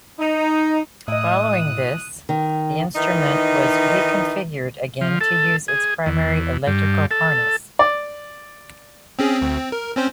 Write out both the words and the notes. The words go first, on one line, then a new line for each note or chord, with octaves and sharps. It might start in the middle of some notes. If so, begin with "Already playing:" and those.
Following this, the instrument was reconfigured again to use its primary electrical harness.
D#4
A2 E4 D#5 D#6 F#6
D#3
D#3 E3 D#4
F3
A4
G#4
E2
G2
A4
D5
C4 C#4 G#4
D2 C4
C4
A#4
C4 C#4 C5